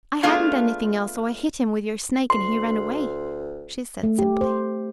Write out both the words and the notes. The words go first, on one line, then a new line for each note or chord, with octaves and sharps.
"I hadn't anything else, so I hit him with your snake and he ran away," she said simply.
A3 B3 D4 F4 G#4 F5
D2 C6
A3
G4
C5